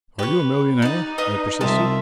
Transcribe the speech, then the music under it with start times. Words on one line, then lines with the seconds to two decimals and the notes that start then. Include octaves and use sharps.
"Are you a millionaire?" I persisted.
0.19 G4 B4 C#5
0.82 D#4 D5 F#5
1.18 B4 D#5 F5 D#6
1.61 C2 C3 F4 E5 A5 D#6